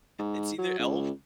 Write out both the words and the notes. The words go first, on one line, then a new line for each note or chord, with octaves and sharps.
It's either Elf
G#2
F#3
C#2